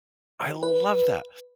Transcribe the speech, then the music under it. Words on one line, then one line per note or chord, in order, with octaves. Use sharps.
I love that!
B4